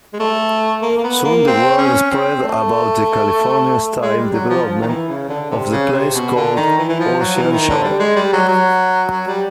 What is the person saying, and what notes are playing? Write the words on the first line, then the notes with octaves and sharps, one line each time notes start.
Soon the word spread about the California-style development of the place called Ocean Shores.
G#3
A3
A#3
A#3
B3
A#3
C4
C#4
C4
A3
G#3
G3
F#3
F3
F3
D#3
E3
C#3
D3
C3
C#3
C3
B2
D3
D#3
E3
E3
F3
F#3
E3
D#3
D3
G3
G#3
G3
F#3
F#3
F#3
G3